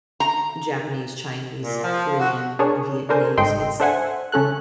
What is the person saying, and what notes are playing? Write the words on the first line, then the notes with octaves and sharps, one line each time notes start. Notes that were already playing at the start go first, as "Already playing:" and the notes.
Japanese, Chinese, Korean, Vietnamese, it's
A#5
A#2
F3
F#4
D4 G#4 A#4 C#5
D4 A4 A#4 C5 G#5
G1 G#2 A4 D#5 G5 C6
D4 A4 C5 E5 F#5 G#5
C#3 C#4 A4 F#6